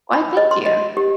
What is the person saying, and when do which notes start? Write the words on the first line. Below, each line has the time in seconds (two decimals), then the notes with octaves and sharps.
Why, thank you.
0.13 B5
0.37 D#5
0.51 C6
0.66 D#5
0.97 G4